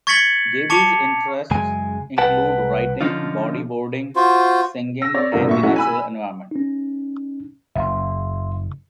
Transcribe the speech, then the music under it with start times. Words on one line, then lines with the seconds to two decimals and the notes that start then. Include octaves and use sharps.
Gaby's interests include writing, body-boarding, singing and the natural environment.
0.07 C#6 G#6 A6 B6 C#7 F#7
0.70 A5 C#6 D6 C#7 F7
1.51 F#2 C#3 G#3 G#5
2.18 C2 B4 F#5 G5 A5
3.01 D3 F3 C#4 D#4 F4
4.16 F4 F#4 C5
5.02 E6 A#6
5.14 C4 C#5 D5
5.32 G1 C3 A3 D4 F4 A#4
5.47 A#2 E5 C#6
5.63 F#3 A3 C#4 D#4 E4 F#4
5.76 G#5 B5 E6
6.51 C#4 D#4
7.76 F#1 E5 F5 C6